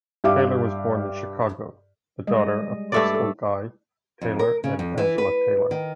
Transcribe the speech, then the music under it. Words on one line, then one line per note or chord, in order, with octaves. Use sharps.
Taylor was born in Chicago, the daughter of Percival Guy Taylor and Angela Taylor.
G2 G4 E5 F5 D6
G3 G#3 D#5
G2 A3 D5
A4
F2
A#4
C#3
F2
E3
B4
D#3